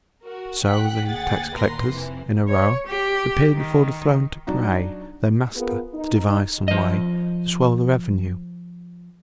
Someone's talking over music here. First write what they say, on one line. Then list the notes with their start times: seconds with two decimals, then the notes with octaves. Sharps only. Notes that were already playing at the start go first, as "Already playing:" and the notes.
So The tax-collectors in a row Appeared before the throne to pray Their master to devise some way To swell the revenue.
0.23 F#4 A#4
0.64 F#5 G5 F#6 B6
1.08 D2 A#3 G#4 F#5 G5 A6
1.57 D#2 A#2 A#4 B4 C6 A#6
1.88 F2 C3 E3
2.48 C#5
2.87 G4
3.54 D#3
4.47 F#3 D4 D#4 F#4
5.55 B3 F4 G#4 A#4
5.94 D#4
6.68 F3 D#5